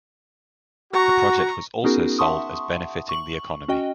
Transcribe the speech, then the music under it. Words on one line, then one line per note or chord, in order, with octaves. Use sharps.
The project was also sold as benefiting the economy.
F#4 A#5 C#6
B3 C#4 D#4 F#4 G#4 A#4
E5 F#5 A5 C6 C#6 D#6
C#6 F#7
C#4 F#4 D#5 G5